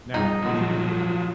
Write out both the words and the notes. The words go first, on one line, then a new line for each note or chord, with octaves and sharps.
Now, go to your room.
F#2 G3 D#4 G#4
A#2 F3 F#3 A#3 F#5